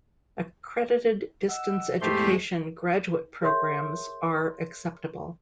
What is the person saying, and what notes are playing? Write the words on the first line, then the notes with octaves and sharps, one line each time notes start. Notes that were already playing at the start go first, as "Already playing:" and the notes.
Accredited distance education graduate programs are acceptable.
D#5 F#5 E6
E2 G#2 G#3 A3 G4 G#4 C6
G#4 A#4 C#5 E5 C6 G6